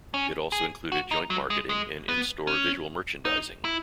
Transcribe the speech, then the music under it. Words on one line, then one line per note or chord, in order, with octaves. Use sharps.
It also included joint marketing and in-store visual merchandising.
C#4
G#4
F#4
D#4
F#3
G#3
G#3
B3
C#4
D#4
E4